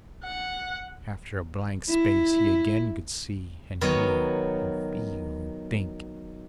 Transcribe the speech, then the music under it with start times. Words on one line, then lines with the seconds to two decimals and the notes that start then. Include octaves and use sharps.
After a blank space he again could see and hear and feel and think.
0.24 F#5
1.89 E4
3.81 D#3 F#3 B3 C#5